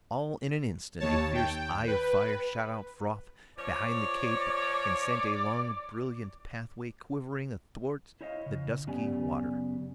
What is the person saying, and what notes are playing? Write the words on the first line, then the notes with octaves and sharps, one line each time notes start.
All in an instant a fierce eye of fire shot out from behind the cape and sent a long brilliant pathway quivering athwart the dusky water.
D#2 C#5 A5
G5
B4
F3 C#5 D5
E4 C5 C#5 D#5 F5
C#3
F#2 C#3 B3 G4 D5 G#5